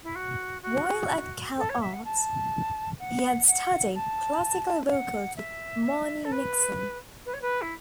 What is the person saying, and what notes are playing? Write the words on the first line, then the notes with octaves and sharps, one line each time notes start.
While at Cal Arts, he had studied classical vocals with Marni Nixon.
E4
F#4
F#4
A4
C#5
E5
F#5
A5
F#5
F#5
A5
F#5
E5
A4
B4
B4
C#5
B4
E4